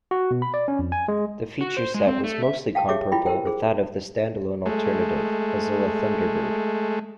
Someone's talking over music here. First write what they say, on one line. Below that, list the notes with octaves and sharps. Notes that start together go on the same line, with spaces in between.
The feature set was mostly comparable with that of the stand-alone alternative, Mozilla Thunderbird.
F#4
B2
B5
D5
C#4
F2
G#5
G#3
F#4
C5
G#3
C4
A3
E5
F5 G5 A5
G4 G#4 C#5 E5 D6
E4 F4 G4 G5 B5
G4 A#4 C5 G5
G#4 C5
G#3 A3